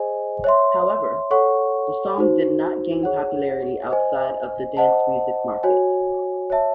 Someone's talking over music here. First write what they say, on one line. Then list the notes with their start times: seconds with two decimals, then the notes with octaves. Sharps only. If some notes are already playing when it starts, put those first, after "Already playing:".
However, the song did not gain popularity outside of the dance music market.
Already playing: G#4 C5 D#5 G#5
0.44 C#5 E5 C6
1.31 A4 C#5 F#5 C#6
2.18 D#4 F#4 C5
3.03 G#4 C#5 F#5
3.90 C5 D#5 G#5
4.77 C5 D#5 F#5 A5
5.63 F#4 C#5 G#5
6.50 C#5 E5 A5